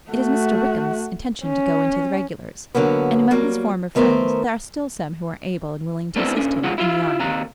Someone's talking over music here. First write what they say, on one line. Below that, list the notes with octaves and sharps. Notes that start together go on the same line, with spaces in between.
It is Mr. Wickham's intention to go into the regulars; and among his former friends, there are still some who are able and willing to assist him in the army.
A3 F#4
C#4
D3 F#3 A#3 B3
F#3 G3 A#3
D#3 A3 B3 A#4 C5
A3 B3 C4 D4 E4 A4
A#2 C#4 D4
B1 F3 G#3 F4 F#5
E4 F4 F5
D#2 C3 D#3 F5 A#5